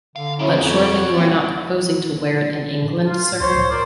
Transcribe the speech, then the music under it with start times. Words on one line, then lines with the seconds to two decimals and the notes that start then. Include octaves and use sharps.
But surely you are not proposing to wear it in England, sir?
0.16 D3 F5
0.39 A#2 C#3 F#3 C#4 E4
0.56 F2 G#2 B3
0.70 B2 C#5
0.95 F#4
1.14 A#3 C4 C#4 G4 D5 F#5
2.82 A2
3.07 F4
3.40 C#2 C5 C#5 C6
3.56 A2
3.70 A#4 C5 D5